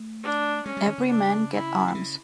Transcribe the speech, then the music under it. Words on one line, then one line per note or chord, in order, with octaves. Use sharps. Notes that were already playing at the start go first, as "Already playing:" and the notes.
Every man get arms.
Already playing: A3
D4
G#3 C#4
G3
D#3
C#3
D4
E4
C3
C#3